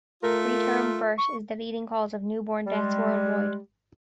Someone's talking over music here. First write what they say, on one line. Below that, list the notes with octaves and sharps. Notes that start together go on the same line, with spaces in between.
Preterm birth is the leading cause of newborn deaths worldwide.
A3 F4 A#4
C#6
G3 G#3